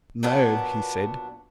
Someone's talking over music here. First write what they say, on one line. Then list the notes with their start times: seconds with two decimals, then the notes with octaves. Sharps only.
"No," he said.
0.23 A#2 F#3 B3 D4